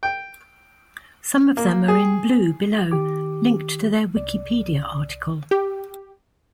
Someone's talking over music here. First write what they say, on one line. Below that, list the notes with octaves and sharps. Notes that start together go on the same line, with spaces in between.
Some of them are in blue below, linked to their Wikipedia article.
G5
A#3
G#4
D#3 G4 D6
C2 D5
G4